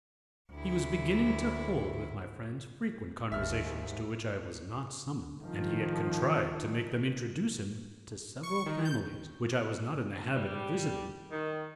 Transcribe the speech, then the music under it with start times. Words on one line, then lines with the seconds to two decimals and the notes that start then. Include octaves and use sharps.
He was beginning to hold with my friends frequent conversations to which I was not summoned, and he had contrived to make them introduce him to several families which I was not in the habit of visiting.
0.51 D2 E4
3.32 G1 D#2 E5 F6
3.63 G#2
5.42 D#3 F3
8.43 C#6
8.66 D#3
8.85 G6
10.35 G3
11.32 D#3